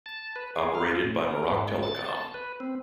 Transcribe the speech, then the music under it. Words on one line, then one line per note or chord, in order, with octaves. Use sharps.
Operated by Maroc Telecom.
A5
B4
G#4
F5
A2
A#4
G#2
A6
A5
B4
C4